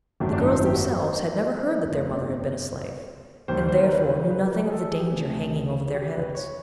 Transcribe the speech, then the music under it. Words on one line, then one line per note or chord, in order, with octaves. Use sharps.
The girls themselves had never heard that their mother had been a slave, and therefore knew nothing of the danger hanging over their heads.
G#1 F#2 D#3 F#3 A3
D4
D#4
E4
G4
F#4
C5
C5
C5
G1 F2 C#3 F3 A3
D#2 D#3 G3 C5
C5
A#4
B4
B4
B4
A#4
G#4
A4
G#4
G4
G#4
D2 C3 F3 A3
G#4
G4
B4
C#5